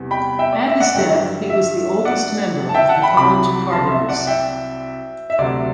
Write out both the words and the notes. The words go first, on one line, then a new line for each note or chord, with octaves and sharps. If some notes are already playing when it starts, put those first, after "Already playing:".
At his death he was the oldest member of the College of Cardinals.
Already playing: E2 C3 G3
G5 B5
E5 G5
D5
E5
D5 F#5
G2 D3 F#3 E5 G5
E5
D5 F#5
A5
E5 G5
F#5 A5
G5 B5
C2 C3 F#3 B5 D6
A5 C6
E5
D5 F#5
E5 G5
E5
D2 C3 F#3 D5